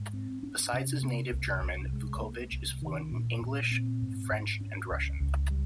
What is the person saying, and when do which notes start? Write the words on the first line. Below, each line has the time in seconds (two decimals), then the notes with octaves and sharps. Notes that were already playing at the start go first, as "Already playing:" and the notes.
Besides his native German Vukovich is fluent in English, French and Russian.
Already playing: G#2
0.13 C4
0.43 C#4
0.73 C3
1.03 A#3
1.32 C2
1.62 C2
1.93 G#3
2.22 A#3
2.52 C2
2.82 D#3
3.12 A#2
3.42 A#2
3.71 C4
4.02 G#2
4.32 G#2
4.61 C#4
4.91 C#2
5.20 C#2
5.51 G3